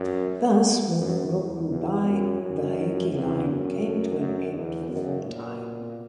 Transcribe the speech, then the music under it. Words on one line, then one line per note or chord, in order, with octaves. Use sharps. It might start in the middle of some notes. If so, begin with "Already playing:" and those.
Thus, with Rokudai, the Heike line came to an end for all time.
Already playing: F#2
F#2
E2
E2
F#2
F#2
E2
F#2
F#2
E2
F#2
A#2